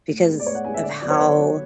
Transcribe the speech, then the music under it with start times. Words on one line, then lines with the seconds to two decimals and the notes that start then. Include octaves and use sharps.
because of how
0.09 A2
0.28 G#3 B3
0.40 D5
0.46 A2 C#5
0.55 F#5
0.65 G#3 B3 G#5
0.74 E5
0.83 D3 D5
1.02 F#3 B3 D5
1.10 C#5
1.19 D3 B4
1.28 C#5
1.38 F#3 B3